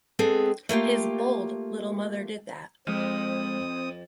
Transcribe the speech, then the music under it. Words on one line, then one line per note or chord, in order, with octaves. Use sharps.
His bold little mother did that.
G#3 B3 C4 G#4 A4
A3 A#3 F4 G4
F2 G#3 C4 D#6 F6